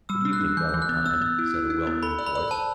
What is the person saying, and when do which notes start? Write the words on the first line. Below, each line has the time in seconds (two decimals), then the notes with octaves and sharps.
"Good-evening, Valentine," said a well-known voice.
0.09 G3 E6
0.25 D4
0.33 F#6
0.41 D4
0.57 E3 G6
0.69 E3 G6
0.82 F#6
0.89 B3
1.06 B3 E6
1.22 B3
1.39 E4
1.54 E4
1.70 E4
1.87 B3
2.03 A4 B5
2.19 D5
2.26 B5
2.35 D5
2.51 C5 A5